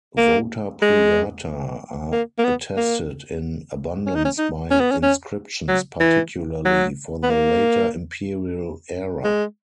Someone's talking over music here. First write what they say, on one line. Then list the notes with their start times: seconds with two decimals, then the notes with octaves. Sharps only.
"Vota privata" are attested in abundance by inscriptions, particularly for the later Imperial era.
0.17 A#3
0.82 G#3
2.12 A#3
2.38 A#3
2.44 B3
2.77 A#3
4.06 C#4
4.15 D#4
4.25 C#4
4.38 D#4
4.71 C#4
4.80 B3
4.91 C#4
5.03 C#4
5.68 F#3
6.00 E3
6.65 F#3
7.23 B3
7.30 A#3
9.24 G#3